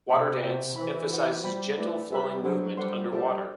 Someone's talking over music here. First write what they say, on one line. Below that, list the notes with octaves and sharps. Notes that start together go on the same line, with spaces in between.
WaterDance emphasizes gentle flowing movement underwater.
C3 C5 G5 B5
F#4 C5 E5 G5
E3 C5 E5 B5
F#4 C5 F#5
G3 C5 G5 B5
A3 E4 B4 D5
G3 F#4 B4 E5 B5
F#3 D4 F#4 A4 C5
G3 A4 C5 F#5 C6
G3 F#4 A4 C5 E5 A5